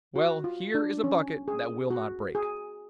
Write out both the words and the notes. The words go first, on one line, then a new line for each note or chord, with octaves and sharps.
Well, here is a bucket that will not break.'
F#4
F4
D4
C#4
G#4
F#4
G#4